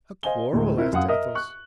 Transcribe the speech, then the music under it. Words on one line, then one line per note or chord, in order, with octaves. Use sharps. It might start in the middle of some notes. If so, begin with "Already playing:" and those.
"A quarrel?" asked Athos.
C5 D#5 F5 G#5 G7
D2 A2 G#3
C4 E4 A#4
F#2 F5 F#5 D#6
A#4 D#5 E5 D#6
C#6 F#6